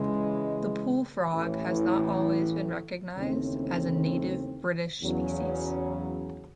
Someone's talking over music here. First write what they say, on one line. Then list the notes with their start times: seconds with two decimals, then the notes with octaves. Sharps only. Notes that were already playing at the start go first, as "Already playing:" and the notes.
The pool frog has not always been recognised as a native British species.
Already playing: C#3 E3 G#3
1.32 A1 A2 E3
3.17 D#2 C#3 E3 A3 C4
5.01 E2 C#3 F#3 C#4